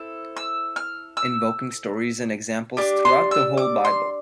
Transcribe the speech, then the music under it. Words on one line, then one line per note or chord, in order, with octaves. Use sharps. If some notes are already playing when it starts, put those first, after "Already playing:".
Invoking stories and examples throughout the whole Bible.
Already playing: C4 E4 A4
E6
F6
E6
D4 G4 D6
C6
E6
D6
C6